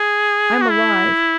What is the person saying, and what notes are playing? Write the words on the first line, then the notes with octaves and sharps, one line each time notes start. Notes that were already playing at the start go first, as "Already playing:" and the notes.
I am alive.
Already playing: G#4
F#4
E4